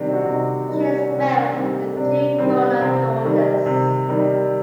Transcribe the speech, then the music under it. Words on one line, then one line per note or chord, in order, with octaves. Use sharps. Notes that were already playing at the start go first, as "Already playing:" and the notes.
She is married with two grown-up daughters.
Already playing: C3 D#3 G3 C4 D4
F#4
C3 D#4
D#3 G3 D#4
C3 D4
C4
D4
D#3 G3 C4
C3 D4
D#3 G3 C4
C3 C4
D#3 G3
C3
D#3 G3